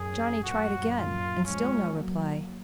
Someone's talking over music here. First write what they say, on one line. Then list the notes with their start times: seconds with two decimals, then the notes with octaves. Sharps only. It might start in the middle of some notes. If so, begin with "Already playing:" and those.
Johnny tried again, and still no reply.
Already playing: F#2 G#4
0.43 F#2 A#2 F#4
0.95 F4
1.45 F3 G#3 C#4
1.96 F#3 A#3